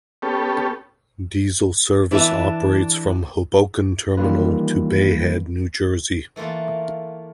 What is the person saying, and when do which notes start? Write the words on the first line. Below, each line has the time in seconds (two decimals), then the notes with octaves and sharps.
Diesel service operates from Hoboken Terminal to Bay Head, New Jersey.
0.22 B3 C#4 G4 A4
2.11 E3 D4 B4 E5
4.17 D#3 E3 G3 A#3 F4 B4
6.36 E3 A3 A#3 F4